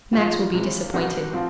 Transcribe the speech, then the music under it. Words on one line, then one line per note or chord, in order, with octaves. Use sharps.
Max will be disappointed.
G#1 G#2 F3 F4
C3 E3 G#3
C2 C3 D#3 G3 F#4
F3 C4 F4